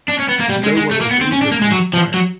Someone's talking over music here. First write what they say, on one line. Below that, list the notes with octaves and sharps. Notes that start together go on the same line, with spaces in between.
No one was injured in the fire.
D4
C#4
B3
A#3
G3
G#3
G#3
A3
A#3
B3
C4
C#4
D4
A#3
G#3
F#3
F3
F#3